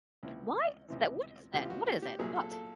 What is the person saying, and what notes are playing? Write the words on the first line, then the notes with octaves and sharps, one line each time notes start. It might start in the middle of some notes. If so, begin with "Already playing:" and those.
Why is that? What is that? What is it? What?
C#2 C3 E3
C#2 C3 E3
C#2 C3 E3 G4
F4
F#4
F#4
G4
C2 A#2 F#3 A#3 G#4
A4
A4